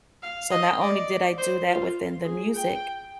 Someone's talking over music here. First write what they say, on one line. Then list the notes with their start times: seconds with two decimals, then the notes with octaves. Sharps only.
So, not only did I do that within the music
0.23 F5
0.51 D#5
0.81 D5
1.38 C5
1.67 F4
2.25 G#4
2.55 G5